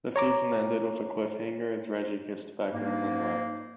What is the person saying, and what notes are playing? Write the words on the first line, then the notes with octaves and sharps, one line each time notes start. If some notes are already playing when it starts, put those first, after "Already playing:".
The season ended with a cliffhanger as Reggie kissed Becker and then left.
C#5 A#5 D6
G#2 A#3